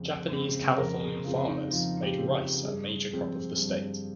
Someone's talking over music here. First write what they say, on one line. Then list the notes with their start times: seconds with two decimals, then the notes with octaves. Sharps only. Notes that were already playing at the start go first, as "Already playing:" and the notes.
Japanese Californian farmers made rice a major crop of the state.
Already playing: F2 C#3 G#3 C4
0.32 C#3 G#3 C4
0.78 F2 A#4
1.02 G#4
1.24 C#3 G#3 C4 F4
1.48 D#4
1.71 F2 F4
2.02 G4
2.18 C#3 G#3 C4
2.64 G2 G#4
3.11 F3 G#3 C4
3.58 G2